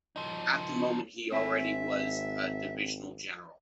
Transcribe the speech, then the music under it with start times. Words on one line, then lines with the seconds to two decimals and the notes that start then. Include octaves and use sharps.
At that moment he already was a Divisional General.
0.16 F3 D#4
1.32 G#1 C4 C5 E5 G#5